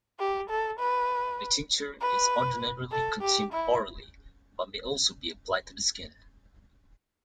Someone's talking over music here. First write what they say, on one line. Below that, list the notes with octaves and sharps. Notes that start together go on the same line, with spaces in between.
The tincture is ordinarily consumed orally, but may also be applied to the skin.
G4
A4
B4
B4
A4
G4
E4